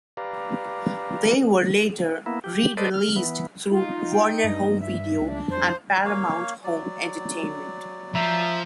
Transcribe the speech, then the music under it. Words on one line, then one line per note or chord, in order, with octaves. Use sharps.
They were later re-released through Warner Home Video and Paramount Home Entertainment.
G4 B4 D5 F5 A#5
A#3 B3 E4
G4
A4 B4 C5 D5 D#5
F6
E3 B3
D#4 F4
G5
G2 D#5
E5
C#2 D4
F2 C5
A#3 C#5 F5
F#3 D5
F3 E5 A#5